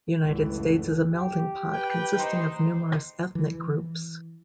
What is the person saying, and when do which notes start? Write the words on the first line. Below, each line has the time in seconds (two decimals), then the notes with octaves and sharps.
The United States is a melting pot consisting of numerous ethnic groups.
0.23 G#1 C#2 F#2 D3 E3 A3
1.12 G4
1.73 B4 G5
2.15 D#4 C5
3.35 E3